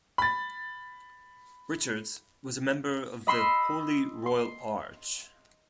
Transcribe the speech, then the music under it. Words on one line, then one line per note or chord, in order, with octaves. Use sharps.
Richards was a member of the Holy Royal Arch.
B5 A6
D#5 B5 C6 E6
C6